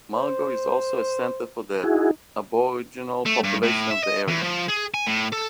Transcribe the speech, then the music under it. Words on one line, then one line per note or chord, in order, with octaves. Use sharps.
Mogo is also a centre for the Aboriginal population of the area.
C5
D#4 E4 F#4 G#4
A3
G2
A2
E5
D#5
E2
F3
G#4
G#5
A2
A4